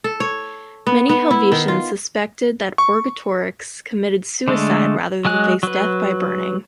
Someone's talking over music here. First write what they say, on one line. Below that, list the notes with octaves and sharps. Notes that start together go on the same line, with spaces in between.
Many Helvetians suspected that Orgetorix committed suicide rather than face death by burning.
A4
C#5
B3
B3
E4
D#3
F4
C#6
D3 G#3 A3
F#3 G#3 G#5 F#6
F#3 B4